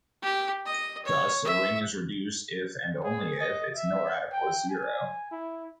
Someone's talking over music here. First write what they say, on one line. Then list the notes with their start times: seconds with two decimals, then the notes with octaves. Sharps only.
Thus, a ring is reduced if and only if its nilradical is zero.
0.22 G4
0.65 D#5
1.05 C#5
1.45 E5
3.04 G#4
3.40 D#5
3.75 E5
4.32 G5
4.70 G#5
5.31 E4